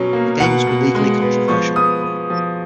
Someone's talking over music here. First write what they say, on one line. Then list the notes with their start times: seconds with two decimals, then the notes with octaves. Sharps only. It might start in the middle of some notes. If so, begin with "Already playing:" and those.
The games were legally controversial.
Already playing: B2 F#3 C#4
0.13 A#3
0.40 B2 F#5
0.67 B2
0.95 G#3
1.22 B3
1.48 F3 C#6
1.76 B3 D#6
2.02 B3
2.30 F3